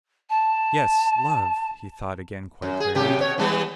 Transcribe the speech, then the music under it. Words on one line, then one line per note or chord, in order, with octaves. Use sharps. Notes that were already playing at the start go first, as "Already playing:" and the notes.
"Yes--love," he thought again quite clearly.
A5
F#2
G#4
F#2 C3 G4
B2 C#5
E3 G3 B3